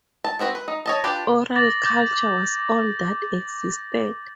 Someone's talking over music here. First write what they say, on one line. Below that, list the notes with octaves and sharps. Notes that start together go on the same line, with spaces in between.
Oral culture was all that existed.
A5
B3 C4 F#4 B4
B4
D#4
C#5 D#5 A5
D4 F4 G4 B4
D6 A6 A#6 F#7
D6 G6